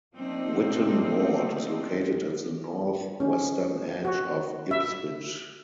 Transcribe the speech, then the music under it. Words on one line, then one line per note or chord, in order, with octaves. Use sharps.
Whitton Ward is located at the north western edge of Ipswich.
F3 A3 A#3 C4 D4 D#4
C#4
F#4
E5